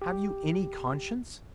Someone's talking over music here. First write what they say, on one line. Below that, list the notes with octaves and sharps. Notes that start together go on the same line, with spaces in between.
Have you any conscience?
G4